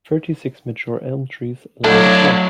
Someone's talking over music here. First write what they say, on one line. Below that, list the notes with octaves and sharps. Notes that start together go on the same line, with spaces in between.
Thirty-six mature elm trees line the Quad.
F#3 A3 D4 E4 D#5 F5 G#6